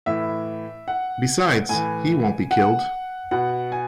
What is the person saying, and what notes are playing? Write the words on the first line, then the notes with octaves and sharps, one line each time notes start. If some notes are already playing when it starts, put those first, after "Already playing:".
Besides he won't be killed.
A2 E3 E5
F#5
A2 E3 G#5
F#5
B2 F#5
G#5